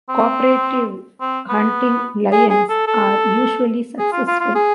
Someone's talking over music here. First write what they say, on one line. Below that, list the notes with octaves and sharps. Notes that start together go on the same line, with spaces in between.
Cooperative-hunting lions are usually successful.
C4
C4
B3
G#4
G#4
A4
A4
G#4
F4
F4
F4
G#4